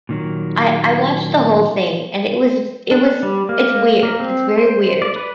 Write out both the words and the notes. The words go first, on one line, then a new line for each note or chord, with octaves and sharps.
I I watched the whole thing and it was it was it's weird, it's very weird,
A#2 D#3 F#3
D4
G3
A#3
A#3
C4
C5
D5
B4